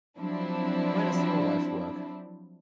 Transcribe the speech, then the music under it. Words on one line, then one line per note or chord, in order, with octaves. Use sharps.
Where does your wife work?
F3 F#3 C4 D4 E4